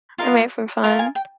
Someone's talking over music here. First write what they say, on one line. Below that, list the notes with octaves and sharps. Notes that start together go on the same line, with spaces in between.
I might for fun,
F4 A#4 D#5 F5
F4 A#4 D#5 F5
G#5
G5